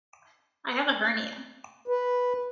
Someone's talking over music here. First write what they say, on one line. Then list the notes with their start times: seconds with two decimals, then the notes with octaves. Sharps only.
I have a hernia.
1.88 B4